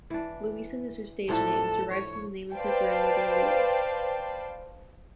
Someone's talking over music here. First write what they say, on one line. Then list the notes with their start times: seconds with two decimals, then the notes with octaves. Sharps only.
Louisan is her stage name, derived from the name of her grandmother, Louise.
0.10 E3 D4
1.29 A2 F3 D4 A4
1.91 C#5
2.53 B4 C5 D5 F5 G5 A5